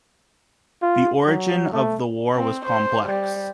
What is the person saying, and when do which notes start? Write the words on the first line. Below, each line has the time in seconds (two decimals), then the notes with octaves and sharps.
The origin of the war was complex.
0.82 F4
1.27 F#3
1.73 A3
2.35 C4
2.65 C5
3.05 G3